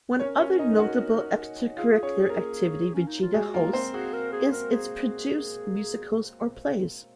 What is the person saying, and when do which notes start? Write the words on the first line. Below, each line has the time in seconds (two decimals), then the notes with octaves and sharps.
One other notable extracurricular activity Regina hosts is its produced musicals or plays.
0.19 C#4 A#4 C#5
0.40 C#4 C#5
0.59 D#4 D#5
0.78 F#4 F#5
1.77 F4 G#4 F5
2.03 C#4 C#5
2.30 A#3 A#4
2.94 C#4
3.08 D#4
3.21 F4
3.34 G#3 F#4 G#4
3.48 F#4
3.54 A#3 F4 A#4
3.73 C4 C5
3.93 F#4 G#4
4.13 A#4
4.33 G#4
4.52 A#4
4.72 G#4